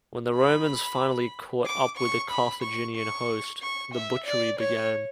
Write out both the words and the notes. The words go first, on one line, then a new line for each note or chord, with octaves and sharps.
When the Romans finally caught up with the Carthaginian host, the butchery began.
B5
D6
C#6
B5
C#6
C#6
C#6
E5
D5
C#5